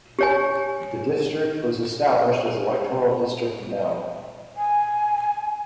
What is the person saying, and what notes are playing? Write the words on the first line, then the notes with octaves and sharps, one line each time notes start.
The district was established as electoral district no.
G4 C#5 G#5
G#5